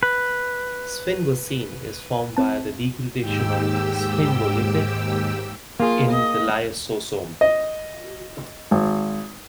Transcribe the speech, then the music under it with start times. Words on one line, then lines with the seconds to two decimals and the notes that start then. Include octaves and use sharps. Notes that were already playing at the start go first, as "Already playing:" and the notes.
Sphingosine is formed via degradation of sphingolipid in the lysosome.
0.03 B4
2.37 C4 A5
3.18 D#2 G#2 G4 G5 E6
5.80 A#3 F4 G#4
6.11 D#5
7.41 D#5
8.71 G#1